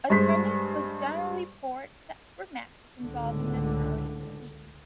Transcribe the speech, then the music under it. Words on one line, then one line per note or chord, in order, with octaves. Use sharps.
Attendance was generally poor except for matches involving the Italian team.
G2 G#3 G#4 C5 B6
C#2 A2 D3